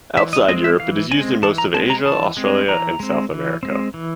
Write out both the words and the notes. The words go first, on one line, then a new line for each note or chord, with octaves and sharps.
Outside Europe, it is used in most of Asia, Australia and South America.
E3 E5
D#5
G#3 C4 D#5
E5
E3 F5
G#3 C4 G#5
E3 A5
A#5
G#3 C4 A5
A#5
E3 A5
G#3 C4
E3 A#5
G#3 C4
E3
G#3 C4
E3